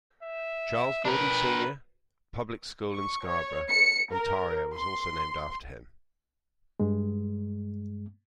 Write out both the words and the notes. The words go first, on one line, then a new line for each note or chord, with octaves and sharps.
Charles Gordon Senior Public School in Scarborough, Ontario was also named after him.
E5
D4 A#4 B4
C#6
C#5
C#7
A#4
C6
G2 G#3